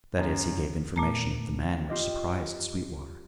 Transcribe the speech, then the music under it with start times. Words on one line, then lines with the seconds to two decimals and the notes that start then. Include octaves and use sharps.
That is, he gave information of the man which surprised Sweetwater.
0.19 F#2
0.96 A#2 A3 A#5
1.89 F4 G4 D#5